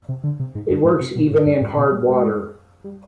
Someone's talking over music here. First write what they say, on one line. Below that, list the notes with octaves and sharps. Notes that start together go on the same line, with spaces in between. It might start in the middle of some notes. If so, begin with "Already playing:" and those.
It works even in hard water.
C3
D3
C3
G#2
G2
G#2
C3
B2
G#2
G2
G#2
B2
G3
G#3
G3